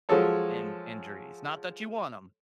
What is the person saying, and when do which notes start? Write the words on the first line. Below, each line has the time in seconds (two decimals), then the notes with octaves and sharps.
an injuries. Not that you want 'em,
0.09 F3 F#3 G#3 G#4 A4 C#5